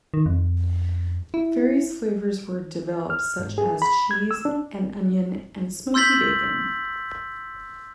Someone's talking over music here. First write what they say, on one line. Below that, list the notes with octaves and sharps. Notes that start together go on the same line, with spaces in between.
Various flavours were developed such as cheese and onion and smoky bacon.
D#3
F2
E4
F6
G#2
G#4
B5
G#6
E6
D4
C6 E6 G6 A6 B6 F#7